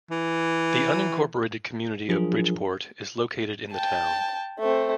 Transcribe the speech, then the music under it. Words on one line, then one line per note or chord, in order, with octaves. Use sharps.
The unincorporated community of Bridgeport is located in the town.
E3
F3 F#3 D4 F4 G#4 A#4
G5 A5
A3 C4